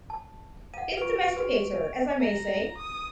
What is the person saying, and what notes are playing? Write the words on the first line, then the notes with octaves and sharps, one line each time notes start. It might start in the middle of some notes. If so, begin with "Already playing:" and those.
It domesticates her, as I may say.
A5
F5 F#5 D#7
F4 B4 C#6 D7 F7
F#4 B4
A#5
D#6